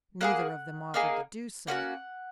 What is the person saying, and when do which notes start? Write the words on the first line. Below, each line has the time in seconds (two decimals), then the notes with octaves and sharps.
Neither of them offered to do so.
0.21 A#3 D#4 G#4 F#5
0.94 A#3 D#4 G#4
1.67 A#3 C#4 F#4 F#5